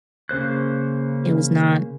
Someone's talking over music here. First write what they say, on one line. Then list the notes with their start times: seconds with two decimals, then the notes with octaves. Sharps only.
it was not.
0.29 C#3 A#3 C5 F#6